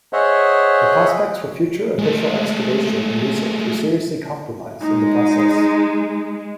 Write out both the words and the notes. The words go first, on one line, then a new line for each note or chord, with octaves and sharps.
The prospects for future official excavation and research were seriously compromised in the process.
G#4 C5 C#5 D#5 E5 F#5
G#3 A3
G#3 D#4